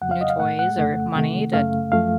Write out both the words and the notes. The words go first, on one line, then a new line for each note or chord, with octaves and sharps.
new toys or money that
F2 C#3 F#3 F#5
F5
D#5
F5
A2 A3 F#5
F#5
F2 C#3 A3
C3 D#3 A3
F#2 C#3 A3 F5
F#2 F3 A3 F5